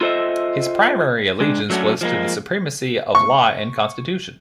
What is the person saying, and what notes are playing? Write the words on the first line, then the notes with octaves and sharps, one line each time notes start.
His primary allegiance was to the supremacy of law and constitution.
F4 A4 C5 D#5 E5
G#3 D4
F#3 A3 C#4 D4 F#4
F3 G#3 A#3
C#6